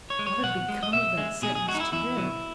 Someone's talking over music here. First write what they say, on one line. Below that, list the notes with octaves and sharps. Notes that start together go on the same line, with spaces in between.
What had become of that sentence to death?
C#5
G#3
C#5
B2 F#5
G#3
D#5
B2 E5
G#3
B2 G#4
G#4
G#3 F#4
D#4
E4
E2 E4
B2 F#3